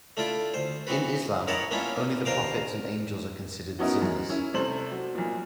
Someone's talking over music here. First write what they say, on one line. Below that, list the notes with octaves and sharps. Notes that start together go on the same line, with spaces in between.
In Islam, Only the prophets and Angels are considered sinless.
A3 D4 E4 F4 D5
D2 C5
E3 B3 C4 F#4 B4
E4 A#4 C#5 D#5 F#5 A5
A#3 B3 C#4 D4 E4 F4
D#2 D4 A#4 C5 F5 D6
F#3 B3 C#4 D#4 E4 A#4
F#2
C#4 E4
C3 G3 A3 C5 F#7
F#3
B1 A#2